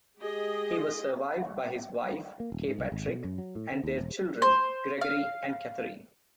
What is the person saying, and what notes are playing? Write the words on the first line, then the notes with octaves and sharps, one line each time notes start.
He was survived by his wife Kay Patrick and their children, Gregory and Catherine.
G#3 G4 G#4 D#5
A#3
D#1
G#2
C2
G#1
B2
F#2
F#3
A2
D3
D#2
E1
C5
F5